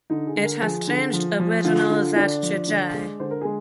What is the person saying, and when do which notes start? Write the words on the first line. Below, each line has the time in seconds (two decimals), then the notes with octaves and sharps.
It has changed original "z" to "j".
0.10 D3 D#4
0.27 G#4
0.36 D3
0.44 A#4
0.62 F3 G#4
0.88 D3
1.13 F3
1.39 F3
1.64 D3 F4
1.90 D3
2.16 D3 D4
2.43 F3
2.68 D3
2.94 G#3
3.20 D3 C5
3.31 A#4
3.41 G#3 G#4